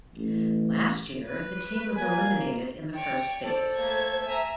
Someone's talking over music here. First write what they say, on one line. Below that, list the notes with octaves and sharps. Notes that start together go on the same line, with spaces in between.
Last year the team was eliminated in the first phase.
A1
B4
A#3 G#5
C#5 D5 G5
A4 C5 D5
A3 A#3 G#6
E5 G#5 A#5